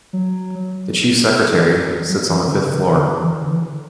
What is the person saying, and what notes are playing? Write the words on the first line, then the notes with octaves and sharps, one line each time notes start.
The Chief Secretary, sits on the fifth floor.
F#3
E3
F#3
E3
D3
C#3
E3
D3
E3
D3
E3